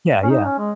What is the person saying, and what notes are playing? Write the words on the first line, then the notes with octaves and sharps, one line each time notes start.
Yeah, yeah.
C#4
D#4
C#4
G#3